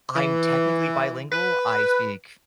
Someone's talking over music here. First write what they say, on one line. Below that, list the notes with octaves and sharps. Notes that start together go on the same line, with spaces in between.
I'm technically bilingual, I speak
E3
B4